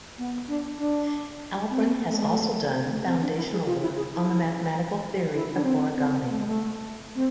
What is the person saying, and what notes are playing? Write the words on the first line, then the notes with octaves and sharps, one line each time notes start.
Alperin has also done foundational work on the mathematical theory of origami.
B3
D4
D4
C4
B3
A3
G#3
A3
A3
C4
D4
E4
G#4
F4
E4
G#4
E4
E4
D4
C4
C4
B3
A3
G#3
A3
C4